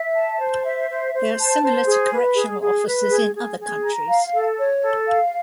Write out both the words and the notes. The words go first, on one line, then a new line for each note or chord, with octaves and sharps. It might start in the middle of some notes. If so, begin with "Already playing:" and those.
They are similar to correctional officers in other countries.
Already playing: E5
A5
C5
E5
C5
C5
A5
C5
G#4
B4
G#4
G#4
B4
G#4
G#4
G#4
A#5
F5
A4
C#5
A4
F5